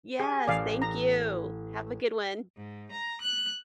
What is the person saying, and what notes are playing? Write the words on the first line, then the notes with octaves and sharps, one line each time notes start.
Yes, thank you. Have a good one.
G4 G#4 G#5
A1 D5 F5
A#5
G#2
A#5
F#6